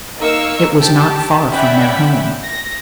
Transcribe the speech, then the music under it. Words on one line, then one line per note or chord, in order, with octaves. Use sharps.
It was not far from their home.
A#3 D#4 A#4 F5 C#6 E6
G4 A5
C#4 D5 E5 F#5 G5 B5
A#6